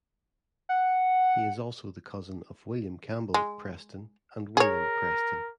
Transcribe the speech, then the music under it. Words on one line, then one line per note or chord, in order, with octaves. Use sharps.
He is also the cousin of William Campbell Preston and William Preston.
F#5
G#3
G#4 A#4 C#5